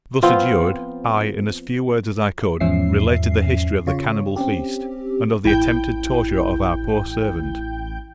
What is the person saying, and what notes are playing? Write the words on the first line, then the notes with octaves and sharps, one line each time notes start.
Thus adjured, I, in as few words as I could, related the history of the cannibal feast, and of the attempted torture of our poor servant.
F3 B3 C4 F4
E2 G#2 F3 C#4 E5 C7
C#3 F4 C#5
C4 C#4 G4
A1 E4 G5 G6